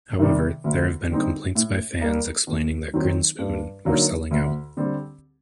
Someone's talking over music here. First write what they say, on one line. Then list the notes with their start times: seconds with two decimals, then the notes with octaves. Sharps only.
However, there have been complaints by fans explaining that Grinspoon were "selling out".
0.19 C3 D#3 G3
0.64 D2
1.10 D3 G3 C4 D#4
1.55 A2
2.01 G3 A#3
2.47 D#2
2.94 D#3 F#3 C4 D#4
3.39 G2
3.85 D3 F#3 A#3 D#4
4.31 D2
4.77 D3 G3 C4